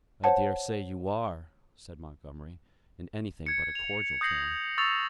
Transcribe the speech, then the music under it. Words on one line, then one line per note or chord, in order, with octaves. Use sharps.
"I daresay you are," said Montgomery, in anything but a cordial tone.
C5 C#5 F#5 A5
G#6 C#7
F7
D#6 G6 A#6 C7 F#7
C#6 D#6 E6 A6 F7